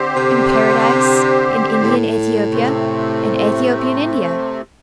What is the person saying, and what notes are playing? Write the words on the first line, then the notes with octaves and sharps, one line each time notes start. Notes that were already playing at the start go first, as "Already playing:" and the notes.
In Paradise--in Indian Aethiopia--in Aethiopian India.
Already playing: D3 C4 G4 C5
C3
A2
C3 A3 C4